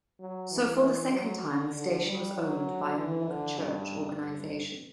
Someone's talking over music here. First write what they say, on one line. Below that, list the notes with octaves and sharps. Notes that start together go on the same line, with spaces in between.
So for the second time, the station was owned by a Mormon Church organization.
F#3
E3
E3
F#3
D3
D3
G3
F#3
E3
D3
G2
G2